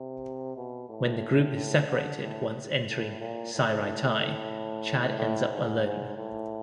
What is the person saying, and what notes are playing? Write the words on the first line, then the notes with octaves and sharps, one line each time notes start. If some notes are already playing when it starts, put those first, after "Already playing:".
When the group is separated once entering "Seireitei", Chad ends up alone.
Already playing: C3
B2
A2
A2
D3
A2
A2
A#2
A2
A2
A2
G#2
G#2
A2